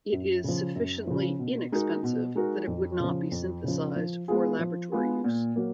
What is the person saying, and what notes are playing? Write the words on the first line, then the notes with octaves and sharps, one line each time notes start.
It is sufficiently inexpensive that it would not be synthesized for laboratory use.
F#2
C#3 F3
F#2
C#3 F3
B2
G#3 D#4 F#4 A#4
B2
G#3 D#4 F#4 A#4
F2
C#3 F3
F2
C#3 F3
F3
G#3 B3 F4 G#4
F3
G#3 B3 F4 G#4
A#2
F#3 A#3